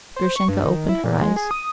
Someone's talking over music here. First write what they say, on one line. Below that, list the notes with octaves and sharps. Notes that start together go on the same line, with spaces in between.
Grushenka opened her eyes.
C5
C#6
G2
D#3
E4
A#2
G#3
G#4
D#6